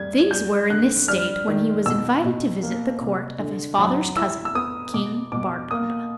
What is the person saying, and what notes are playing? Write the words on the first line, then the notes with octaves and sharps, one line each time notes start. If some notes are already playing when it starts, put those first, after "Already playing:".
Things were in this state when he was invited to visit the court of his father's cousin, King Bardondon.
Already playing: G3 G#6
G3 G6
D3 F#6
G3 F6
D#3
B2 E6
B2
A#3
C3
D3
F#3
E4 E6
E6
B3 D#6
B2 D6
B2 D6
A#3 D#6